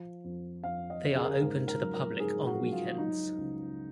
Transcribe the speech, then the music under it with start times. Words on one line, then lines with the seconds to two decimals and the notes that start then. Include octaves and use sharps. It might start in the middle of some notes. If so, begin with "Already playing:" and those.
They are open to the public on weekends.
Already playing: F3
0.24 F2
0.63 F2 F5
0.90 D#5
1.03 C#3
1.16 G#4
1.23 A#4
1.30 G#4
1.42 G#2 A#4
1.68 A#4
1.81 F#3
1.94 A#4
2.20 G#2 G#4
2.47 F#4
2.60 F#3
2.72 F4
2.98 F#3 D#4
3.38 C#2